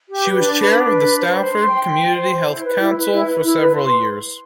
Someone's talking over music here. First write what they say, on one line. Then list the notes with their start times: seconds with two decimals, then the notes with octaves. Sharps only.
She was Chair of the Salford Community Health Council for several years.
0.08 G4
0.24 B4
0.39 D4
0.56 B4
0.71 D4
0.88 B4
1.04 D4
1.19 C5
1.36 C5
1.51 C6
1.67 G5
1.83 G5
2.00 C6
2.15 C5
2.31 C5
2.47 E4
2.63 B4
2.78 E4
2.95 B4
3.11 E4
3.26 B4
3.43 E4
3.58 B4
3.74 C6